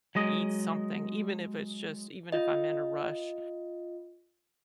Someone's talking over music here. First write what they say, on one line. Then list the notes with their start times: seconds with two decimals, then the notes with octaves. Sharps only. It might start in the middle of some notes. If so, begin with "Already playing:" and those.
eat something, even if it's just even if I'm in a rush
0.15 F#3 G#3 D#5
2.32 F4 D#5